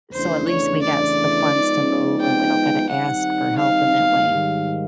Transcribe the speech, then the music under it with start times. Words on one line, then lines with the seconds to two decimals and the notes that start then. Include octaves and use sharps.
so at least we gots the funds to move and we don't gotta ask for help in that way
0.13 E2 C#3 E3 A3 D4 C5
0.48 C#5
0.82 D5
1.51 F3 G#3 B3 D#4
2.21 G5
2.89 D#3 G3 C4 D#4 F#5
3.58 F5
4.27 G#2 D#3 G3